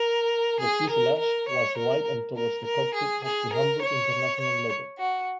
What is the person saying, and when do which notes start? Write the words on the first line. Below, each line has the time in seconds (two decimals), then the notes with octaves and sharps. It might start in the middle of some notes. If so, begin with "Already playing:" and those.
The fuselage was white and towards the cockpit had to Hamburg International logo.
Already playing: A#4
0.60 G#4
0.90 A#4
1.19 A#4
1.48 C#5
1.77 A#4
2.36 A#4
2.64 A#4
2.94 G#4
3.24 G#4
3.53 A#4
3.82 C#5
4.41 C#5
4.99 F#4